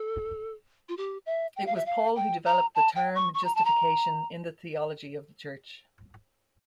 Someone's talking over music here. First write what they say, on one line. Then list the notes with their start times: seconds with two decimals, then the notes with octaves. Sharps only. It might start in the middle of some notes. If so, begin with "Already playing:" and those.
It was Paul who developed the term justification in the theology of the church.
Already playing: A4
0.89 F4
0.97 G4
1.26 E5
1.56 G5
1.66 F5
1.76 E5
1.86 F5
2.16 G5
2.45 A#5
2.75 A5
2.95 G5
3.15 C#6
3.34 C#6
3.45 A#5
3.55 A5
3.65 A#5